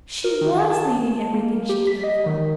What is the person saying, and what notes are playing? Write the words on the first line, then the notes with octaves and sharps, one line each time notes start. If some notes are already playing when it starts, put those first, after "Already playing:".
She WAS leaving everything she cared for.
A#4
D#3
A5
A#3
G4
B6
D#5
D#3